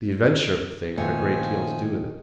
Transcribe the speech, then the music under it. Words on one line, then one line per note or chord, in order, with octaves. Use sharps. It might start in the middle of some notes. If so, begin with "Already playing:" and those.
"The adventure of the thing had a great deal to do with it."
A#2 D#3 F3 A3 A#3 B4 C#5 G#5